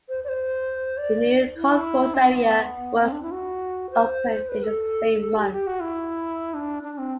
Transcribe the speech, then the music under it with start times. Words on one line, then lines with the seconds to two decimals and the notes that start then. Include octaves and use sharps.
The new concourse area was opened in the same month.
0.09 C5
0.24 D5
0.29 C5
0.97 D5
1.55 E4
2.14 C4
2.29 B3
3.02 C4
3.12 D4
3.22 E4
3.31 F#4
3.91 C5
4.49 B4
4.63 A4
5.37 G4
5.52 G4
5.67 F#4
5.80 E4
6.54 D4
6.83 D4
6.98 C4